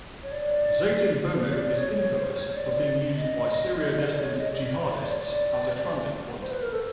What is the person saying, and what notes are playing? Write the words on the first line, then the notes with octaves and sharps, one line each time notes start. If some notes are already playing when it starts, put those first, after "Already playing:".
Zeytinburnu is infamous for being used by Syria destined jihadists as a transit point.
C#5
D5
C#5
D5
C#5
C#5
C5
C#5
C#5
D5
D#5
D#5
D5
C#5
D#5
D5
C#5
D5
C#5
D5
C5
B4
A#4
A4